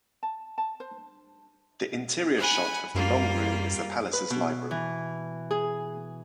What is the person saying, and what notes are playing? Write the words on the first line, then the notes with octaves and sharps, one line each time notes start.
The interior shot of the long room is the palace's library.
A5
A5
C5
F#5 G#5 B5
F#2 G3 A#3 F4
B4
B2
E3
G#4